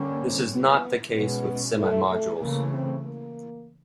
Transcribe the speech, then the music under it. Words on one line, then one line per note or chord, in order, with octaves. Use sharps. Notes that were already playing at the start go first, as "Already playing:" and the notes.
This is not the case with semimodules.
Already playing: D3 G3 A#3 C#4
C4
B3
B2 G#3 B3 C#4
A3
A3
C#3 E3 A3 A#3
C4
A#3